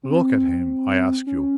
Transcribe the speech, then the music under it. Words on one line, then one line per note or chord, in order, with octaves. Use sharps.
Look at him, I ask you!
C4
C#4